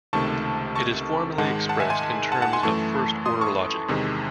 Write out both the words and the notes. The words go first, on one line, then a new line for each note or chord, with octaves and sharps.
It is formally expressed in terms of first-order logic.
C#2 C3 D#3 A3 A5 C#6
A5 C#6
G#2 D#3 G#3 F#5 A5
F#5 A5
E5 G#5
G#5 C6
F#5 A5
F#5 A5
G#5 C6
F#2 E3 A3 A5 C#6
C6 D#6
A5 C#6
E2 C3 D#3 G#3